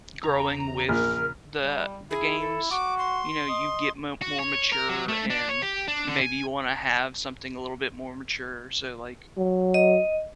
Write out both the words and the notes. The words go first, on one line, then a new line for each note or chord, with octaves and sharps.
growing with the the games. You know, you get mo more mature and you maybe you wanna have something a little bit more mature so like,
E2 C#3 A#5
A#1 A#4 F6
G3
E4 G#4
A4
F#4 D6
C6
D#5
F#4
C#5
A#4
F#3
A3
D4
C#5
G4
D4
D3
G#5
F#3
D#5